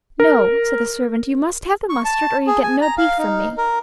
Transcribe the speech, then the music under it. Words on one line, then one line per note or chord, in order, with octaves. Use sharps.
"No," said the servant, "you must have the mustard, or you get no beef from me."
A#4
C#6
A5
G#4
G#5
A#5
F5
D#4
A#4